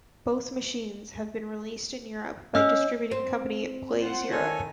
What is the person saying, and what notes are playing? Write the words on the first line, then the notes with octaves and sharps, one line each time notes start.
Both machines have been released in Europe by distributing company Blaze Europe.
C#4 D#5 E6 F6
C4
F4 C5 F#5
D#3 A4 C#5 G#5